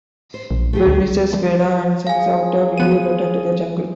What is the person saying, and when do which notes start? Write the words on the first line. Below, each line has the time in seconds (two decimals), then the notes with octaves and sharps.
Bel misses Weda and sends out a video letter to the jungle.
0.34 C5
0.51 A#1
0.73 A3 G4 G#4
0.85 D2
2.07 G#4 F5 G#5
2.78 F3 B3 F4 D#7